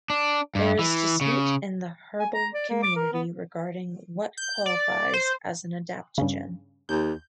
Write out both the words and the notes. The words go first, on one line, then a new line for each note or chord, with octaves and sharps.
There is dispute in the herbal community regarding what qualifies as an adaptogen.
D4
G2
E3
C#3
G#5
A#5
D5
A#3
D6
A#4
B3
G6
D5
C5
G2 C#3
D#2 G6